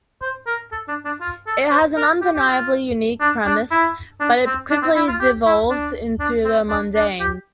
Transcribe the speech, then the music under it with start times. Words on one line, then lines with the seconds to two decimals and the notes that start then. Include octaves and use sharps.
It has an undeniably unique premise, but it quickly devolves into the mundane.
0.22 C5
0.47 A#4
0.72 A4
0.88 D4
1.05 D4
1.21 F4
1.47 A4
1.71 C5
1.97 A#4
2.21 G4
2.35 G4
2.47 F4
3.21 D4
3.46 D4
3.71 E4
4.20 D4
4.46 C4
4.71 D4
4.82 C4
4.95 E4
5.08 F4
5.20 G4
5.46 E4
5.70 D4
6.20 D4
6.45 C4
6.69 D4
6.95 D4
7.20 G4